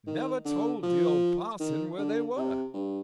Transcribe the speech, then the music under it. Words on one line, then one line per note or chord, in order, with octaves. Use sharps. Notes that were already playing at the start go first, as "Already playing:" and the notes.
Never told the old parson where they were.
D#3
D3
F3
D#3
D3
C3
G2